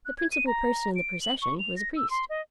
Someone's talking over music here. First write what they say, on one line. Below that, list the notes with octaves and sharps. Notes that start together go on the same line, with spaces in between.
The principal person in the procession was a priest.
F#6
G#6
D#7
A#5
D7
F#7
C#6
F7
A#6
E6
C6
D#5